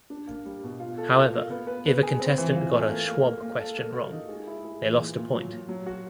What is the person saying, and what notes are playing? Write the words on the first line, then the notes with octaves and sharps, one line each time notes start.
However, if a contestant got a Schwab question wrong, they lost a point.
D4
A#3
G3
B2
F4
A4
F4
A#3
B3
B4
B4
G#4
C4
E3
F4
A3
A#3
A#3
A#3
A#3
A4
A#3
F#4
D#4
G#3
E4
G#3
E3
A#2
A#2
F#3
A#2
F#3
F#4